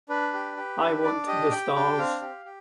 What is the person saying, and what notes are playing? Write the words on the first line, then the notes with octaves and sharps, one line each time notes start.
I want the stars!
D4 B4
G4
G4
D4
D4 D5
G4 D#5
G4 G5
D4 G5
C4 F5
G4
G4